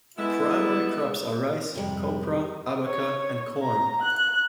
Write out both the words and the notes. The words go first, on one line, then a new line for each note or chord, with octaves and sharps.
Primary crops are rice, copra, abaca, and corn.
G#3 A3 B3 E4 E6
F2 G#2 C3 G3
C#5
A#5
F#6